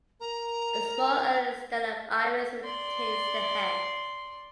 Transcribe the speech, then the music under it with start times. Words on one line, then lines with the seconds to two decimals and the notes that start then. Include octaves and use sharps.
A small early study of "Iris" retains the head.
0.21 A#4 A#5
2.64 D5 C6